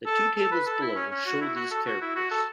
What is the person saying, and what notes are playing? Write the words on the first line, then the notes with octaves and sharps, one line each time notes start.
The two tables below show these characters.
A4
A4
B4
A4
E4
C#4
C#4
F#4
E4
F#4
A4
F#4
E4
F#4
A4